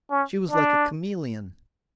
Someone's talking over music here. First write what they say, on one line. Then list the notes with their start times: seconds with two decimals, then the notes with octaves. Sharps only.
She was like a chameleon.
0.11 C#4
0.51 D4